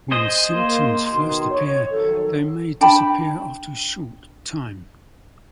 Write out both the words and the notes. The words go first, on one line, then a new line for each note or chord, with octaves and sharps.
When symptoms first appear, they may disappear after a short time.
G#4 C5 D#5
A#3 C6
B2 D#3 F#4
C#5
F2 D#3 F#3 A4
D4 G5 A5 B5